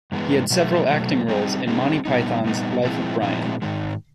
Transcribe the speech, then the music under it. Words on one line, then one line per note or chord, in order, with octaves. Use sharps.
He had several acting roles in "Monty Python's Life of Brian".
G2 E3 G#3 B3
B2 F#3 A3
B2 F#3 A3
G3 C4 D#4 G#4
G3 C4 D#4 G#4
A#2 G3 B3 D#4
A#2 G3 B3 D#4
A#2 F3 G#3 C4 E4
A#2 F3 G#3 C4 E4
G#2 D#3 G#3